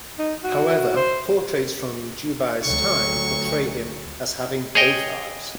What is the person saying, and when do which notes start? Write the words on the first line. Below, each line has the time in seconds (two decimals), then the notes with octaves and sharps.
However, portraits from Jubei's time portray him as having both eyes.
0.19 D#4
0.44 F#4
0.96 C5
2.64 D2 F#3 C#6
4.75 G#4 C#5 D#5 G5